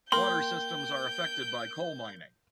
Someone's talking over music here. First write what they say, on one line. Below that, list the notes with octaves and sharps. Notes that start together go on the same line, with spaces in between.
Water systems are affected by coal mining.
A#3 G5 C6 G6